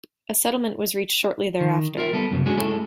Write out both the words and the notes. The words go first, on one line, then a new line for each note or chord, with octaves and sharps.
A settlement was reached shortly thereafter.
D#3
F4 A#4 E5
G3 B3 A4
C2 F#2 C#3
G#3 C#4 D4 F#4 G#4
G#3 A3 E4 A4